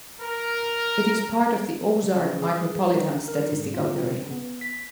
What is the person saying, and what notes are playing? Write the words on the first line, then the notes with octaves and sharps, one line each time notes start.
It is part of the Ozark Micropolitan Statistical Area.
A#4
C#3
C#3
G#4
G3
A#5
A#4
G#2
F4
C#3
B3
B6